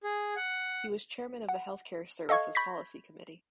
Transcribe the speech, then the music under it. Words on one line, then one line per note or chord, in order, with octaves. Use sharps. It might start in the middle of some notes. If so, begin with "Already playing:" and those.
He was chairman of the Health Care Services Policy Committee.
G#4
F#5
F#5
A4 D#5 F5 C#6 G#6
B5 C#6 G6 G#6 A#6 B6